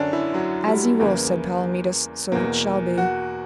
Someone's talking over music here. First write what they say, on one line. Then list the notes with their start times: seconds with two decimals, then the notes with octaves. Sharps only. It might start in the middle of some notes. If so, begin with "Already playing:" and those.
As ye will, said Palomides, so it shall be.
Already playing: F#2 D3 C#4 D4
0.13 E4
0.34 F#3
0.67 G3
1.00 E2 C#3 E3 A#3
2.32 E2 B2 A#3
2.98 F#4